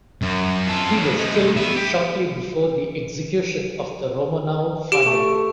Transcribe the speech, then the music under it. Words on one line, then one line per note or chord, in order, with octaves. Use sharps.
He was killed shortly before the Execution of the Romanov family.
F#2
F4 A4
C#3 F#3
A3 D#4
B3 E5
G4
G4 D7
A3